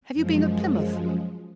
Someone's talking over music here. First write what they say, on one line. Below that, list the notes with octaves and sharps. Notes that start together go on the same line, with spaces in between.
'Have you been at Plymouth?
F#2 F3 G#3